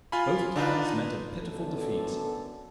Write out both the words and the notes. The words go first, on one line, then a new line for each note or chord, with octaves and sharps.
Both plans met a pitiful defeat.
F4 F5 G#5 B5
D4 D#4 F4 B4
F#2 D3 B3 A4